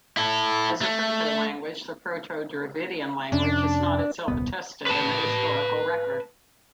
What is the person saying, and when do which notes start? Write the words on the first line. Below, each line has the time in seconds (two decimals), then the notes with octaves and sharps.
As a proto-language, the Proto-Dravidian language is not itself attested in the historical record.
0.17 E4 A4
0.81 A3
3.32 F2 C3 C#4 D4
4.28 D#1 C2 B3
4.86 B4 A5